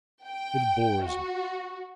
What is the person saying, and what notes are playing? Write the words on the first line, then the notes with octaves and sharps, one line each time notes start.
It bores me.
G5
F#4